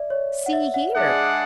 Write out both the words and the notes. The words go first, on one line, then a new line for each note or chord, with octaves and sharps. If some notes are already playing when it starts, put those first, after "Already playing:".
See here.
Already playing: D5 E5
C#5
F#5
E5
F#5
G#3 D4 G#4 D5 E5 F#5